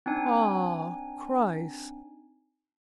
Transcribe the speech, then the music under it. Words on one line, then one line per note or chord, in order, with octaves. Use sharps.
Ah, Christ!
C4 D4 D#4 G#5